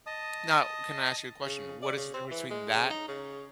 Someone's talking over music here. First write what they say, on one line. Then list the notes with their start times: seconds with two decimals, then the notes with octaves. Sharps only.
Now, can I ask you a question? What is the difference between that
0.07 D#5 A5 D#6
1.45 C#3
1.82 D5
1.97 C#3
2.14 C4
2.31 E3
2.51 G#3
2.74 C#3
2.90 D#4
3.08 C#3